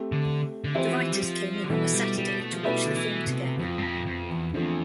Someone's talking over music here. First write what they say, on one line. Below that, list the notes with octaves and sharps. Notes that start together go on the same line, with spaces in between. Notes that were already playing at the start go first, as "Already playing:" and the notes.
The writers came in on a Saturday to watch the film together.
Already playing: A3 C4 G4
D3
D3
E3 F3 C4 G4 C5 E5
G3
F3
D3
B2 E3 B3 E4 A4
G3
G3
A3
F3
B2 G3 A3 E4 B4 E5
D3
E3
C3
F2 F3 C4 F4
G2
F2
F2
E2
E2 D3 F3 A3 C4